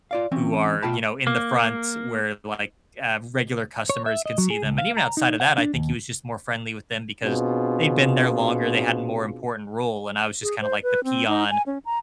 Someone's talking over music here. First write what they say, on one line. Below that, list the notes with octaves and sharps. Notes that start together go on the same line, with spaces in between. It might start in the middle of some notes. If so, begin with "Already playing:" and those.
who are, you know, in the front where, like, uh, regular customers can see them. And even outside of that, I think he was just more friendly with them because they'd been there longer, they had a more important role. And I was just kind of like the peon.
F4 D5 F5
E3 C4 C#4
B2 F4 G5 A5 B5
A#3
C#5
E5
D#5
F#3
G#4
C#2
F5
A#5
D#4
F#5
D4
D#2
B2 C4 D4 F4 G#4
G#4
C5
B4
C4
D#4
G#5
C#4
A#5